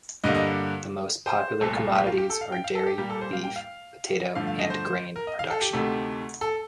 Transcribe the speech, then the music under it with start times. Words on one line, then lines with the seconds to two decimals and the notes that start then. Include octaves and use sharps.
The most popular commodities are dairy, beef, potato, and grain production.
0.24 G2 D3 G3 A#3 D#5
0.35 D#5
1.26 C5
1.61 C2 A#2 A3 A4
1.95 G4
2.07 F4
2.18 G4
2.30 A4
2.41 F5
2.52 G5
2.64 F5
2.75 A4
2.87 G4
2.98 A#2 G3 A#3 G4
3.10 A4
3.21 C5
3.33 F5
3.44 G5
3.56 F5
4.35 G2 D3 F3 A3 F5
4.47 F5
4.59 D#5
4.70 C5
5.16 A#4
5.27 D#5
5.39 F5
5.50 A4
5.61 G4
5.73 D2 C3 D#3 A3
6.41 A4